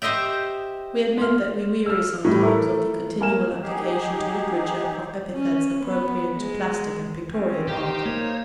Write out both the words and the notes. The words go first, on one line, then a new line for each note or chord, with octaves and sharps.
We admit that we weary sometimes of the continual application to literature of epithets appropriate to plastic and pictorial art.
G4 C5 D#5 E5 G5
C6 F6
E6 F6
A2 G3
A3 E4 A4 A#4
A#3 G#5 F6 E7
F#3 D#4 G4 G#4
C#4
B3
G#3
C4 C#4
D#4 G4 C5 F5 G5
A#3 C#5